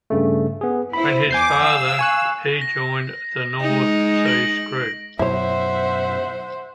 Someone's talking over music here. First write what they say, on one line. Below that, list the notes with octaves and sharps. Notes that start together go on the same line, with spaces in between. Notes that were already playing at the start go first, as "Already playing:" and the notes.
When his father he joined the North Sea Scroop.
G2 C#3 A3
B3 G#4
E4 C5 B5
E2 G#5 D6 G6 C7
F5 E6
G#5 C#6 F#6
A#6
G#3 D#4
A#6 D7 F#7
F#2 B2 F#3 E4 C5 C#5 E5 F#5